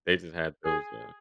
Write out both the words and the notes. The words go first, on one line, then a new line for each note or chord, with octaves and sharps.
They just had those, uh
G#4